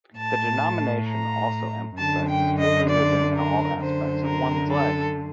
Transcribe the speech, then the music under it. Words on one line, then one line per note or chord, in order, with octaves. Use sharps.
The denomination also emphasizes holy living in all aspects of one's life.
A2 A5
A#5
F#2 D3 A5
G5
D#5
D5
A#4
F#2 D3 C5
A#4
A4